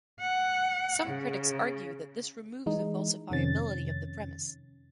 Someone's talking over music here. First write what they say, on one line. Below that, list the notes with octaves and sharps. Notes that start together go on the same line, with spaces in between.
Some critics argue that this removes the falsifiability of the premise.
F#5
C#3
E3 G#3 D#4
F2 C3 D#3 C#4 A6